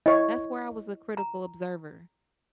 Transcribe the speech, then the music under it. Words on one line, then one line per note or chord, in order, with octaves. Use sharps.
That's where I was a critical observer.
E4 C#5 D#5
A#5